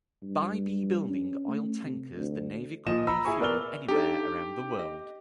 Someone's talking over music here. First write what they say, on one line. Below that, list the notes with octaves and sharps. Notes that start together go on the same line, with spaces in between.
By be building oil tankers the Navy could refuel anywhere around the world.
G2
C#4
A3
C3
D2
A#2 F3 D#5 E7
A#5 B5 E6
E4 G#4 G#5 C#6
B3 A#4 D5 E6 F6 G7
D4 D#4 G4 A4
D#5